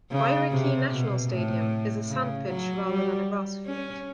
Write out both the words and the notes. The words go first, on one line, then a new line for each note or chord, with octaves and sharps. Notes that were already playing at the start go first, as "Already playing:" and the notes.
Bairiki National Stadium is a sand pitch rather than a grass field.
C#3
C3
B2
A2
C#3
F#3
G3
C#4